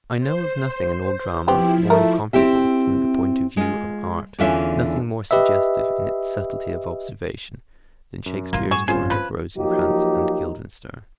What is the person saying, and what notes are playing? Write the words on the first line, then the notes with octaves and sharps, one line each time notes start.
I know of nothing in all drama more incomparable from the point of view of art, nothing more suggestive in its subtlety of observation, than Shakespeare's drawing of Rosencrantz and Guildenstern.
C5
F3 B3 C4 E4 G4
A3 A#4
C4 E4 G4 E5
G#3 F4
E2 D3 E3 C#4 F4 E5
G4 B4 D#5 E5
F#2
A1 G2 A#3 F4
F#4 G#4 C#6 G#6 E7
C4 C#4 F4 G#4 C5
F3 B4
F3 F#3 A#3 D#4 G4